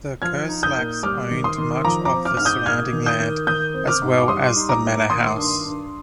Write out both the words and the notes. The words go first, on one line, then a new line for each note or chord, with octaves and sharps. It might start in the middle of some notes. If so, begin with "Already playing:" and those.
The Kerslakes owned much of the surrounding land as well as the manor house.
F3 F6 G#6
D#4
D#6 G6
A#2
G3 D6 F6
D#3
C6 D#6
D#3
F3 A#5 D6
A#5 D6
C4
D6 F6
G#2 F6
D#6 G6
A#3 F6 G#6
D#3
D#6 G6
D#3
D#3 D#6 G6
C4
D6 F6
G#2
D6
G3 C6 D#6
D#4
A#5 D6
A#2
D#3 C6 D#6
G2
G2